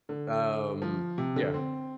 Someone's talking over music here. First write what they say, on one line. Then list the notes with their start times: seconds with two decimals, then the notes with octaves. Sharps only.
Um, yeah.
0.09 D3
0.82 F3
1.18 C3
1.36 D3
1.54 C4